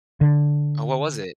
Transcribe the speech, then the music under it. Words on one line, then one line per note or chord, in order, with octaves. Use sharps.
Oh, what was it?
D3